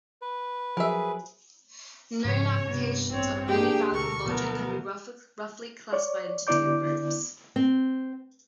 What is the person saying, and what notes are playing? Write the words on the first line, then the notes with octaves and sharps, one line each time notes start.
Known applications of many-valued logic can be roughly classified into two groups.
B4
F3 F#3 G#4 A#4 E5
G#2 C#3 F3 B3 C#5
G2 C3 B3
A1 C4 C#5
A#3 D4 G4 G#4 G5
D2 B2 A4 A#4 C#6
B2 D#3 F3 F#3 A3 B3 A#4
C#5 D5
D3 B3 E4 D5 D6 G6
C4